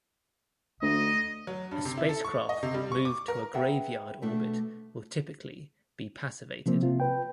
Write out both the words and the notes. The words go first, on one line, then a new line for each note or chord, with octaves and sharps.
A spacecraft moved to a graveyard orbit will typically be passivated.
D2 D#5
F#3
G2
C3
E4
A4
C#6
D#5
C3
G3
C#6
D6
A#4
G#4 B4 E5 F#5 G5
B2 A3 D4
C3 F3 A#3 C4
C3 F4
B4 G5